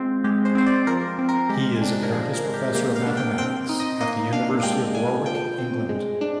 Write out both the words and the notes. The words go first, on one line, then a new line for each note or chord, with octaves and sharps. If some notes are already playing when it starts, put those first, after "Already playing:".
He is Emeritus Professor of Mathematics at the University of Warwick, England.
Already playing: G#3 C4 F4
G#3 G4
C5
C4 C5
D5
F3 A#4
C4
A#4
G#3 G4
D4
A#4
F3 G#4
A#4
G#3
G4
A#3 G4
F5
D4
G5
C4 G5
D#4
D#5
A#3 D#5
D4 F5
G#3 G5
D4 G#5
F3 G5
C4
G#3
D4